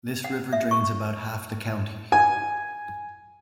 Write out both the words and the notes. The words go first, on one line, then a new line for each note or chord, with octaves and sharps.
This river drains about half the county.
F#5
E5
C#6
G#5